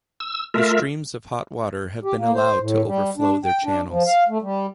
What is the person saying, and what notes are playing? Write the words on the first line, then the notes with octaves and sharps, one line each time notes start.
The streams of hot water have been allowed to overflow their channels.
E6
A3 F4 A#4 E5
G4
A#3
C5
A2
G3
D4
G5
D4
F3
F5
A3
G3